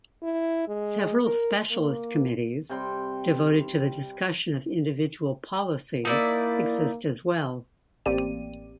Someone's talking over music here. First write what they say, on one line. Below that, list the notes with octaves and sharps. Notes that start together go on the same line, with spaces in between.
Several specialist committees, devoted to the discussion of individual policies exist as well.
E4
G#3
A#4
A#3
C3 G3 G5 C6
A#3 D#4 E4 D5
A1 A#3 C4 G4 D5 D#7